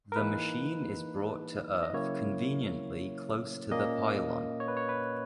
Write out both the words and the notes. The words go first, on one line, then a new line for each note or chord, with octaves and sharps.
The machine is brought to earth conveniently close to the pylon.
A#4
E3 A#3 D#4 B4
D#5
C#3 F#3 A#3 C#4 E4 C#5
A#2 A#3 C#4 D#5
C#5
B4
C#5
B4